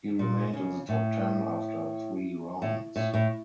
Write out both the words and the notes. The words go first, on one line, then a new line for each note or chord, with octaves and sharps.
He remained in the top ten after three rounds.
A#2
C#3
A2
A2
A2
A2